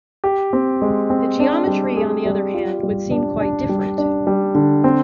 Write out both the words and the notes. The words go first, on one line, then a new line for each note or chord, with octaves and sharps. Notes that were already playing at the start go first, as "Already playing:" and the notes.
The geometry, on the other hand, would seem quite different.
G4
C4
G#3
C4
D4
G3
G#4
G3
F4
G3
D4
D4
G3
D4
G3
D3
C4